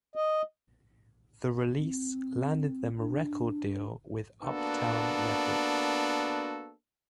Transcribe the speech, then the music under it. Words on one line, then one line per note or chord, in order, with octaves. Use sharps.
The release landed them a record deal with Uptown Records.
D#5
C4
D4
A#3 B3 D4 F#4 A4